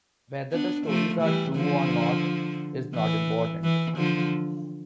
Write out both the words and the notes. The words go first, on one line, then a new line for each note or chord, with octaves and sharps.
Whether the stories are true or not is not important.
B3 D4
F3 A3
E3 G3
D3 F3
E3
E3
D3 F3